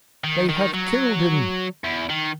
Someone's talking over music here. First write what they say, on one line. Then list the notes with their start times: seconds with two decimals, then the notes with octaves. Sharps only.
They have killed him!
0.24 D#3
0.49 D#3
0.74 F#3
1.84 E2
2.10 D#3